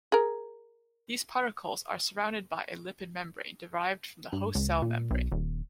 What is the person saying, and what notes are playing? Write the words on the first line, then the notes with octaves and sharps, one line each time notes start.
These particles are surrounded by a lipid membrane derived from the host cell membrane.
G#4 A#4
G2
C#2
A#2
B1
D#1